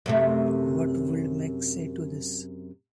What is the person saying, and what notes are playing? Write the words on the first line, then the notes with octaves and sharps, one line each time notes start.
What would Meg say to this?
F#2 C3 A3